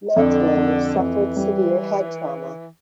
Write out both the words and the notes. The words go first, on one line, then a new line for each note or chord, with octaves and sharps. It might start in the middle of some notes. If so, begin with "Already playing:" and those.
Mantlo suffered severe head trauma.
F2 D3
F2
F2 E3
G3